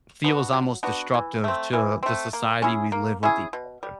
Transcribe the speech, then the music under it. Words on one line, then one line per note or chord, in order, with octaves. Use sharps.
feels almost destructive to the society we live with each other.
B3 D4 F#4
F#3
B3 D4 F#4
E3
A3 C4
E3
A3 C4
A#3
C#4 E4 G#4
A#3
C#4 E4 G#4
B2
G3